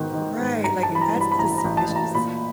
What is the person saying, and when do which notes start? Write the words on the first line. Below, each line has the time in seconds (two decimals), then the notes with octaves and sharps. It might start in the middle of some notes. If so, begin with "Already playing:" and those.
Right, like, that's suspicious?
Already playing: G#2 D#3 B3
0.13 D#3
0.39 G#2
0.64 G2 A#5
0.83 A5
0.89 E3
0.95 B5
1.01 A#5
1.14 G2
1.21 B5
1.32 B5
1.39 A1 A#5
1.58 A#5
1.64 A1
1.77 A5
1.89 A1
1.96 A#5
2.15 A#2 B5